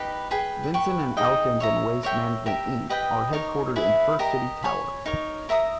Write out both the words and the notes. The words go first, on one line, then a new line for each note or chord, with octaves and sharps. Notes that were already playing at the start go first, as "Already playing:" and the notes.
Vinson and Elkins and Waste Management, Inc are headquartered in First City Tower.
Already playing: D#4 G4 B4
G#4 B4 G5 B5
B4 G5 C#6
D#4 G#4 D#5 G5
C#5 E5 A#5
A#4 C#5 E5 G5
G4 A#4 E5
G4 B4 D#5 G5
D#4 A#4 C#5
E4 G#4 B4 E5
G4 A#4 D#5 A#5
C#5 G#5 B5
D#4 A#4 C#5
A#4 E5 A#5 D#6